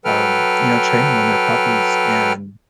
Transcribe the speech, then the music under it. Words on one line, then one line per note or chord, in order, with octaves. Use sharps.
um, you know, train 'em when they're puppies and
F#3 A4 B4 G5 F6